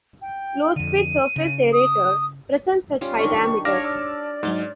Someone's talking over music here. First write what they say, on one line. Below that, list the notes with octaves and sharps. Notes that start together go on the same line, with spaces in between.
Low speed surface aerator present such high diameter.
G5
F2 D3 D#7
C#3
D#6
G3 C#4 F4
D#3 D4 C#6
D4 C#5 F5 D6 F6 A#6
D5 A5 E6
G#2 F#3 G#3 D#4